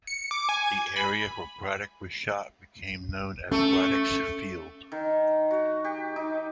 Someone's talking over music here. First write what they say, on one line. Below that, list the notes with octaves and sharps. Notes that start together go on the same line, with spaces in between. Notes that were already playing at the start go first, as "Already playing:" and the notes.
The area where Braddock was shot became known as Braddock's Field.
C#7
D6
G#5
B5
A3 C#4
D#3
F#4
G4
D#4